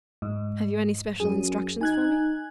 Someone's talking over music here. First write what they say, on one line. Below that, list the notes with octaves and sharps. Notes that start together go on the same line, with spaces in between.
"Have you any special instructions for me?"
G#2
F#2 G#4
D#4 G#5 F#6 G#6